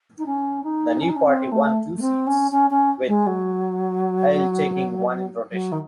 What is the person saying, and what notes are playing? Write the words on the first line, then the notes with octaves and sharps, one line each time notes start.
The new party won two seats, with Pa'il taking one in rotation.
D#4
C#4
D#4
C#4
D#4
C#4
C4
A3
A3
C4
C#4
C#4
C#4
G#3
F#3
F#3
D#3